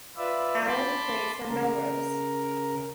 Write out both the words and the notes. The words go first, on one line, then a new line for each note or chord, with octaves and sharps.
Allan played for Melrose.
F4 B4 D5 E5
A5 B5 C6 D6
C#3 A#4